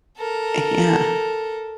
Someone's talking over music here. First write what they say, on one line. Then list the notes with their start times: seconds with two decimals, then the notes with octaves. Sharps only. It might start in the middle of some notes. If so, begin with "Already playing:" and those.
Eh, yeah.
0.18 A4 A#4